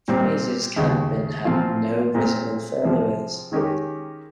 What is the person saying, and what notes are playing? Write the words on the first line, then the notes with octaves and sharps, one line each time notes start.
Fraser's campaign had no visible followers.
A#2 G3 C4
D#2 C#3 G#3
A#2 F3 C4 F4
A#2 G#3 C4
C3 F3 G#3
D#3 G#3 C#4 G4 A#4